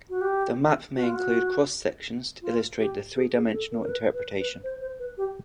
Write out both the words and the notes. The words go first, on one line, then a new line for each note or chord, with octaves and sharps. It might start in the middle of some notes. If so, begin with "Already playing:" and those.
The map may include cross sections to illustrate the three-dimensional interpretation.
F#4
G4
F#4
F4
F#4
F4
G4
G#4
G#4
A4
A#4
A#4
B4
B4
B4
C5
C5
B4
G4